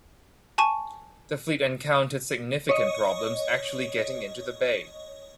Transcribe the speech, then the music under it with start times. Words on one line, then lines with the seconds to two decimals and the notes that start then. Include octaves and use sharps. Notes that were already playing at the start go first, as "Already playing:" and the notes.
The fleet encountered significant problems actually getting into the bay.
0.58 G#5 A5 C#6 D#7
2.69 C#5 D#5